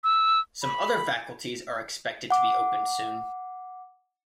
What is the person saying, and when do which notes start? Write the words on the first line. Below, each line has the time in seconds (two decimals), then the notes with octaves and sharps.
Some other faculties are expected to be opened soon.
0.04 E6
0.62 B5
2.30 F#5 D6